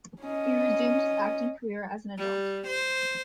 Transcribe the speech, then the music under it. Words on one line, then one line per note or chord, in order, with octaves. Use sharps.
He resumed his acting career as an adult.
C#4 D#5
G3
C5